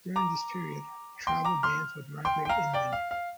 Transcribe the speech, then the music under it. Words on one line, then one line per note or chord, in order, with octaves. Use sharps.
During this period, tribal bands would migrate inland.
A#5 D6
G5 C6
A#5 D6
C6 F6
G5 C6
G5
F5 A#5
D5 G5
F5
F5